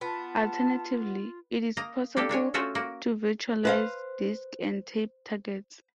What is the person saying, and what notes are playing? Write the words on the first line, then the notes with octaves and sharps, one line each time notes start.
Alternatively, it is possible to virtualize disk and tape targets.
B3 F4 A5
A#3 D#5 A#5
A#3 D4 G4 A4
A#3 D4 C#5 G#5
A3 C#4 F4 F#4 C5 E5
A#3 F#4
B4 C5 F5